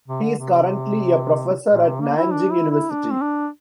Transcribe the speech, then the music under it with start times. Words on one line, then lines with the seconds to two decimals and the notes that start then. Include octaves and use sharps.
He is currently a professor at Nanjing University.
0.08 C3
0.22 D3
0.38 C3
1.72 A#2
1.87 C3
2.02 A#3
2.17 E4
2.31 D4
2.51 E4
2.71 E4
2.90 D4
3.11 C4
3.21 D4